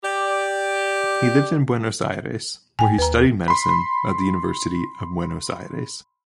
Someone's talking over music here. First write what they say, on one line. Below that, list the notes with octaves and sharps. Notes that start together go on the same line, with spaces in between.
He lived in Buenos Aires, where he studied medicine at the University of Buenos Aires.
G4 D5
A2 G5 G#5
D#2 B4 A#5
B5 C6